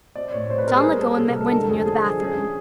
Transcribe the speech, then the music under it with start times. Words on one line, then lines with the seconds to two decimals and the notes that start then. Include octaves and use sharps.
John let go and met Wendy near the bathroom.
0.16 C4 D5
0.32 A2 C#5
0.49 C4 C5
0.58 B4
0.67 C4 A#4
0.76 G#4
0.83 G3
1.00 G3 A4
1.17 C3 A4
1.29 A#4
1.35 G3
1.41 A4
1.52 D3 A4
1.69 F2 G#4
1.86 F3 G#4
2.03 F3 G#4
2.19 C#4 G#4
2.37 C#4